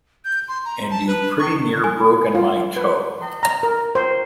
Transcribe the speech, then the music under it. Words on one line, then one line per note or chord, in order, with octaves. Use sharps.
And you've pretty near broken my toe.
G6
C6
A#5
A5
B4
C#6
G#5
F4
B4
A#5
A#4
C5